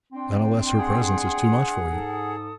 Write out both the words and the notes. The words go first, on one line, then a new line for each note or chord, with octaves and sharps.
'Not unless her presence is too much for you?'
C4 D4 G5 C6
G#4 F#5
G#2 A4 D#6